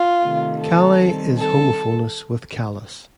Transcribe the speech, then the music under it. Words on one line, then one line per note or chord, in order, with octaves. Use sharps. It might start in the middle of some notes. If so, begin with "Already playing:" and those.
Calais is homophonous with "callous".
Already playing: F4
C3 D#3 A3
A4
D#3 G3 C4
A4